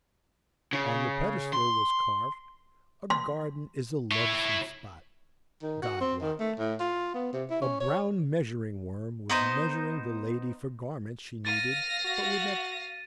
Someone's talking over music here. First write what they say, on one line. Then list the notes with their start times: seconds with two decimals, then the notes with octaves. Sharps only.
On the pedestal was carved, "A garden is a lovesome spot, God wot." A brown measuring-worm was measuring the lady for garments she needed but would never wear.
0.73 C#3
1.53 C6
3.10 C6
4.11 E4 C#5
5.62 D#3
5.82 F#4
6.01 C4
6.22 D#3
6.40 A3
6.59 A2
6.80 F4
7.15 B3
7.33 C3
7.50 E4
7.62 C#4
7.80 C#5
9.30 B3 D#4 C5 D#5
11.45 F5 A6 A#6 D#7
12.05 F#4